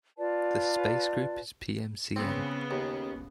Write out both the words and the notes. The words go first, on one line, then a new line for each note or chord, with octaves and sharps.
The space group is Pmcn.
F4 B4 D5 A5
C#3 B3 C4
D#2